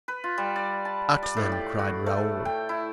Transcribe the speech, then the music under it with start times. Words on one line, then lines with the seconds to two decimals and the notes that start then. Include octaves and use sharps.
"At them!" cried Raoul.
0.08 B4
0.24 F4
0.38 G3
0.56 D5
0.85 A5
1.23 D5
1.37 A2
1.52 G4
1.79 F#4
2.06 A3
2.45 G5
2.69 E4